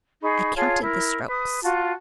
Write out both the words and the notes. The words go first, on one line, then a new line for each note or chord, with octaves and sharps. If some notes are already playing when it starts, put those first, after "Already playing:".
"I counted the strokes."
D#4 G#4 B5 C#6
F4 G#4 C#5 A5
E4 A#4
B4 D#6
F4 F#4 A5